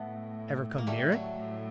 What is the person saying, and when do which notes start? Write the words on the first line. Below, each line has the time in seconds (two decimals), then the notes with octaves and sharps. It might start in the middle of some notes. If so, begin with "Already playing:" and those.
"Ever come near it?"
Already playing: A2 A3 B3
0.78 A#3
0.87 G3 A3
1.12 F#3
1.37 A2